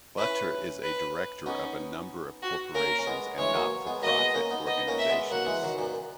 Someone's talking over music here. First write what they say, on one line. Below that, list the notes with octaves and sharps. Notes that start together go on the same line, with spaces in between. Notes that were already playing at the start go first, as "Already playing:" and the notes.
Futter is a director of a number of corporations and not-for-profit organizations.
C#4 E4 B4
B4
B3 C#4 D#4
F#4
A#3 C#4 A#4
C#4
G#3 B3
E3 G#3 C#5
F#3 A#3
G#3 B3
F#3 A#3 D#5
G#3 B3
A#3 C#4
B3 D#4
B3 D#4 D#5
A#3 C#4
E5
G#3 B3
F#3 A#3 F#5
E3 G#3
D#3 F#3
F#2 A#2